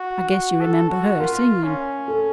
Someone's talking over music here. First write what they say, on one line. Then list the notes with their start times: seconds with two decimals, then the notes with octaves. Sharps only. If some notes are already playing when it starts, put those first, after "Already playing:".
I guess you remember her singing.
Already playing: F#4
0.30 F#4
0.61 A4
0.90 F#4
1.20 F4 A#4
1.64 C#4
2.08 A4